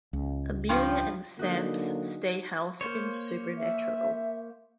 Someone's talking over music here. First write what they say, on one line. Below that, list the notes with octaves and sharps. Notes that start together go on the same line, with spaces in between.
Amelia and Sam's stay house in Supernatural.
C#2
G2 F3 G5
D3 F#3 G#3 A#3 D#4 F#4
A#3 C5 C#5
E5